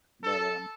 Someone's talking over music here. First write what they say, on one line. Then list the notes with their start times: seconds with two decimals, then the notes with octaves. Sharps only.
But, um
0.23 A4